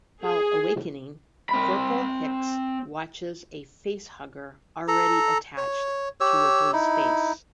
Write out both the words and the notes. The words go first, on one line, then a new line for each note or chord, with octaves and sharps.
While awakening, Corporal Hicks watches a facehugger already attached to Ripley's face.
G#4
C4 B5
A4 A#5
C#5
G4 C#5 E6
D#4 E4